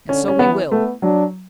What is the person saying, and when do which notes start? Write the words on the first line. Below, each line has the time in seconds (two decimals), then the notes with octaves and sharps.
And so we will!
0.09 D3 C#4
0.28 C#4
0.39 E3 B3
0.71 A3 B3
1.02 F#3 D4